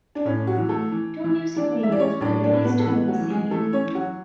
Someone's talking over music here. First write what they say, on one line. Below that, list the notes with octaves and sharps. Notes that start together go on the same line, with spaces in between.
Two music videos were released for Missile.
D4
A2 C#4
F#3 F#4
E3
A3 A4
E3
E3
E3 D4 D5
E5
E3 D5
C#4 C#5
A2 D4 D5
D4 D5
A2
B3 B4
A4
E3 B3 B4
F#3 F#4
E3
G#3 G#4
E3 A3 A4
C#4 C#5
E3
F#3 F#4